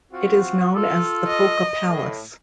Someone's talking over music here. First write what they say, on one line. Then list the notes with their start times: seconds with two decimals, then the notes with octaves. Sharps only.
It is known as The Polka Palace.
0.12 C4 F4 F#4
0.75 F4 A4
1.27 D#5
1.88 A2